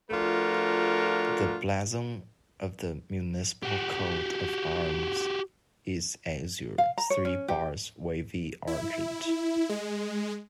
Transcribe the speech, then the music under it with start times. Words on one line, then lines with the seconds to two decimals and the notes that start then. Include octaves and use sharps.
The blazon of the municipal coat of arms is Azure, three Bars wavy Argent.
0.11 F3 A3 D4 F4 F#4 A#4
3.63 F#4 G4
6.78 F5
6.98 A#5
7.10 C#5
7.25 C#4
7.48 G4
8.67 E4
9.69 G#3